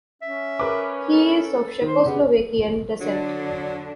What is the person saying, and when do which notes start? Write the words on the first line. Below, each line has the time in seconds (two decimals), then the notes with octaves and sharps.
He is of Czechoslovakian descent.
0.22 C#4 E5
0.59 A#4 B4 D6
1.11 A4
1.81 D#3 C5
2.05 C#3 B3 G4
3.01 D3 F#3 D4